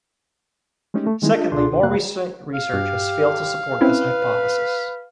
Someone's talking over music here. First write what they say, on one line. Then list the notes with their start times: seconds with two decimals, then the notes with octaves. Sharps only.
Secondly, more recent research has failed to support this hypothesis.
0.94 G#3 A3 C#4 D#4 G4
1.07 A3
1.22 D#3 G3 G#3 B3 D#4 E4
1.35 D4 F4 D#5
1.52 C#2 B2 D4 F4 G#4 C6
1.83 F2 C3 A#3 F5 F#6
2.54 F5
2.73 G2 G4
3.81 C4 C#4 E4 B4